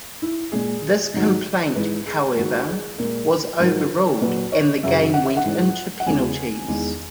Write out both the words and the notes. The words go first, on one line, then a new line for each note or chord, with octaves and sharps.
This complaint, however, was overruled, and the game went into penalties.
E4
A#2 G#3 G#4
G#2 D#3 F#3
G#2 E3 G#3 B4
G#4
G#2 D#3 G#3 F#4
G#4
A#2 G#3 A#4
G#2 D#3 F#3 A#4
A#2 F#3 B4
C#5
F#2 C#3 F#3 E5
F#5
E5
F#5
G#2 E3 G#3
F#5
E2 C#3 G#3 G#5
E2 D#3 G#3